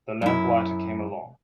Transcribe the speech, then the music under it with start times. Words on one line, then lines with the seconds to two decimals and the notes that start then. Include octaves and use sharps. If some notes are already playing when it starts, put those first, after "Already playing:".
The lamplighter came along.
0.22 F#2 E4